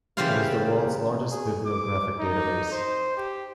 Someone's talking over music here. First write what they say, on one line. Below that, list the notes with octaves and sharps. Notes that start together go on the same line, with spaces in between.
It is the world's largest bibliographic database.
C#3 E3 G4 C5 D5 F5
G#4
D6
D#4
C5
G4